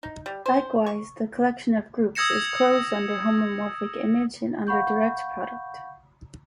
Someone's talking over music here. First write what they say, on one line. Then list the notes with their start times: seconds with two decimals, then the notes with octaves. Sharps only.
Likewise, the collection of groups is closed under homomorphic image and under direct product.
0.03 D#4
0.26 G3
0.46 C5
0.86 C#6
2.15 D#6 E6 G#6 A#6 C#7 E7
4.67 F5 F#5 B5 C#6 G6